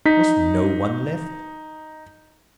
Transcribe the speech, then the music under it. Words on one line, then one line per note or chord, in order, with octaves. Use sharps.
Was no one left?
D#4 B6